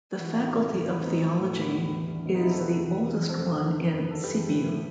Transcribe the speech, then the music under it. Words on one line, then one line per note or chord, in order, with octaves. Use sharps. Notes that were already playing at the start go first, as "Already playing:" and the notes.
The faculty of theology is the oldest one in Sibiu.
E3 F#4
A2 E4
D#4 F#4
C3
E2
E3 B3 D#4
C4
A2 B3 D#4
C4
E3
A2
D#3 B3
E2
E3
G2
B2 C4
B3 D#4
E2 C4 E4
F#4 A4
C3 G4 B4
E2
B2
E2
C3 A4 C5
E2
E3
F#2
D#3 B4
F#2 A4
G4 B4
E3
A2
E3